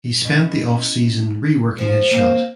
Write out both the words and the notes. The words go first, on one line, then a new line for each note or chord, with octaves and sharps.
He spent the offseason reworking his shot.
B2 C#4 E4
F3
A#3 C4 F5